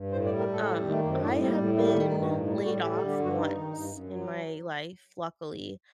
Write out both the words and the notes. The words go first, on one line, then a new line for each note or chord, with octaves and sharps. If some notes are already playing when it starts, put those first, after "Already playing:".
Um, I have been laid off once in my life, luckily,
Already playing: G2
A2 C5
D5
G3
A#4
A2 A4
G3
D#3
A3
F#2 A#3
C4
A2 D4
G3 C4
A#3
A2
G3 A3
D#3 A#3
G2 D#4
F#4
A2 D#4
G3 D#4
A2 F#4
G3 G4
A4
D3
G4
G2 F#4
G3 D#4
D#3
G2
F#2
F#3